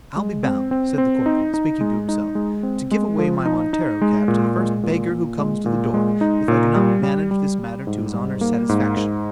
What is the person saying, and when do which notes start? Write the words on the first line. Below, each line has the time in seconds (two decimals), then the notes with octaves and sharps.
I'll be bound, said the corporal, speaking to himself, to give away my Montero-cap to the first beggar who comes to the door, if I do not manage this matter to his honour's satisfaction.
0.16 G#3
0.43 C4
0.71 C4
0.98 C4
1.26 D#4
1.54 D#4
1.81 G#3
2.09 D#4
2.35 G#3
2.63 C4
2.91 G#3
3.18 F3
3.46 D#4
3.73 D#4
4.02 G#3
4.28 A#2
4.57 G#3
4.83 A#2
5.11 A#2
5.38 G#3
5.66 A#2
5.94 G#3
6.21 D#4
6.48 A#2
6.76 G3
7.03 G3
7.31 G3
7.59 G3
7.87 G#2
8.14 G3
8.41 A#3
8.69 G#2
8.97 G#2